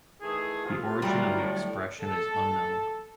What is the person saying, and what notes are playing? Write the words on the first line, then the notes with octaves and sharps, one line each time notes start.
The origin of the expression is unknown.
D#3 E3 A3 G#4
C3 F4
D2 F#3 G3 E4 G4 A#4
A2
A4